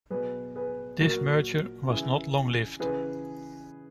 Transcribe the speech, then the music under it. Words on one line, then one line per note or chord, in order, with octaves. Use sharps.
This merger was not long-lived.
B2 F#3 G#4 B4
G#4 B4
A#2 F#3 F#4 A#4
C#3 E3 E4 G#4
C#3 E3 G#4 B4